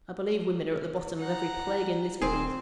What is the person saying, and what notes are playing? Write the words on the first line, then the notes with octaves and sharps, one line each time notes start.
I believe women are at the bottom of every plague in this world.
D#4 F#5 A#5
D#1 C4 G#4 C5